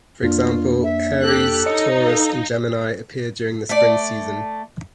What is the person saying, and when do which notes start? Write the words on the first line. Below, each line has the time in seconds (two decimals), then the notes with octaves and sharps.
For example, Aries, Taurus, and Gemini appear during the spring season.
0.22 F2 A#3 D4 F4
0.83 E5
1.22 G4 A4 F#6
1.66 D#4 C#5 D#5 C#7
2.07 A4 F5
3.69 A3 D5